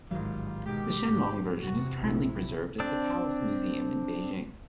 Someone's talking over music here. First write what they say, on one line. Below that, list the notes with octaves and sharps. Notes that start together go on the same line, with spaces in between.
The "Shenlong" version is currently preserved at the Palace Museum in Beijing.
A1 G#2 D#3 F#3 G3 A#3 F4
B2 D#3 G#3 G4
G#1
E2 C3 F#4
A#1 C4 E4
C4 D4